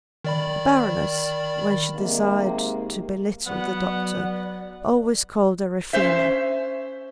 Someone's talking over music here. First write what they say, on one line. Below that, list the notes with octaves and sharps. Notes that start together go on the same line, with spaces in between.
The Baroness, when she desired to be-little the doctor, always called her a female.
D#3 D5 B5
C3 D#3 G#3 A#3
F#3 B3 D5 F#5
C#4 C5 E5